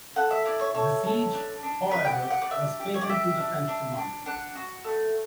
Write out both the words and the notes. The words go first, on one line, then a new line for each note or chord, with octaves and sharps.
The siege, however, was fatal to the French commander.
A4 F#5
E5
E4 D5
C#5
A4 C#5
A4
D4
D4
D4 B4
G5
F#5
G4
F#5
D5
D4 E5
G4
C#5
D5
G4 E5
D4
D4
D4
D4 F#5
F#4
A3